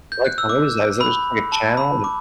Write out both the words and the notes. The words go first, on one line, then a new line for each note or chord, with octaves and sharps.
Lifetime, what is that? Is that just, like, a channel? Like
G6
F#6
E6
D6
B5
A5
B5
D6